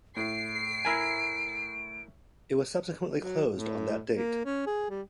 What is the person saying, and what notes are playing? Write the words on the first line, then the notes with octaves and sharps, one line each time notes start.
It was subsequently closed on that date.
A2 C7 D7
E4 A#4 G#5
F#3
A2
A#3
C#4
G#4
G3